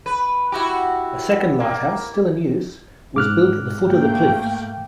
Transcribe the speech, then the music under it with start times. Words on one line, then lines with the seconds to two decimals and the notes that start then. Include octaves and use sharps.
A second lighthouse, still in use, was built at the foot of the cliffs.
0.06 B4
0.52 E4 F#4 G4
1.60 A#3
3.16 G#2 D6 F6 F#6
3.88 A3 A#3 G5